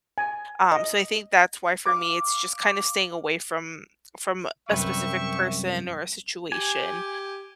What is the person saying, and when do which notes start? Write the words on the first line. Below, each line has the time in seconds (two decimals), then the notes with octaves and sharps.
Um, so I think that's why for me it's just kinda staying away from from a specific person or a situation,
0.18 G#5
0.72 D#5
1.86 F5 D6
4.69 C2 F#2 B4 E5 G5 C#6
6.52 G4 G#5